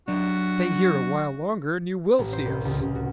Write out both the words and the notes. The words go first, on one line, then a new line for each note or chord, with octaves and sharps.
"Stay here a while longer and you will see us!"
F#3 D4 F#4
A1
C5
C2
C#2
C#2
F#4